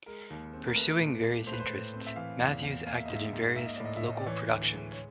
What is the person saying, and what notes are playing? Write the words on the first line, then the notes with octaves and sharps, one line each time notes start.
Pursuing various interests, Matthews acted in various local productions.
G#3 A#4
D#2
C4
A#4
A3 B4
A#2
A#2
A3 C5
B4
C5
A2
C4
E5
E3 F5
E2 F5
E2 F5
A#3 F5
E5
G#2 D#5
E5
G#2
A#3 E5
D#5
A2 D5
D#5
E5
A2 D#5
D5
E3 C#5
D2
G#3
C#5